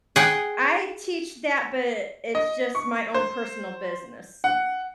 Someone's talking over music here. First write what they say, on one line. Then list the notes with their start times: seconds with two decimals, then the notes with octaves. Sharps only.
I teach that, but it's just my own personal business,
0.16 G#4 F#5 G5
2.35 D#5
2.75 C#6
3.14 C5
4.44 F#5